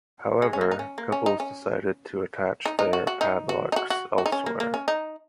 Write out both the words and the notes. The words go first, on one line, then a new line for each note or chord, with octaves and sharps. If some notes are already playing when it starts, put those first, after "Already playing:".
However, couples decided to attach their padlocks elsewhere.
G#3
C#4
A#3
D#4
C#4
A#3
C#4
D#4
C#4
D#4
D#4
F#4
F#4
D#4
F#4
D#4
F#4
F#4
F#4
D#4
C#4
A#3
A#3
C#4
D#4